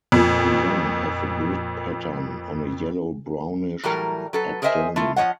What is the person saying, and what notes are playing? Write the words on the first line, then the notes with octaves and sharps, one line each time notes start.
The young have a grid pattern on a yellow-brownish abdomen.
F2 A#2
A2 E3 F#3 G3 A#4
F#3 A4 B4
G#4 A#4 C5 D#5 E5 G#5
A3 E4 F4
F3 F#3 C#5 D#5 F#5